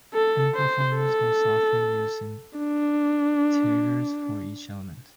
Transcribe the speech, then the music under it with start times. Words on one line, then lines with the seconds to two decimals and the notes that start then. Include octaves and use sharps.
Chemical formulas most often use integers for each element.
0.14 A4
0.55 C5
0.95 A4
2.58 D4